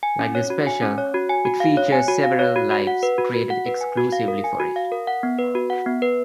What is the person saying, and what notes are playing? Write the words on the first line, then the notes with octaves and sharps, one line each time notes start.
Like the special, it features several lives created exclusively for it.
G#5
C#4
C#5
F#4
G#5
C#4
C#5
F#4
G#5
F#4
F5
C#5
G#5
F#4
F5
C#5
F#4
F#4
F#5
B4
F#4
F#4
F#5
B4
G#5
F#4
F5
A#4
G#5
F#4
F5
A#4
F#5
B3
B4
F#4
F#5
B3
B4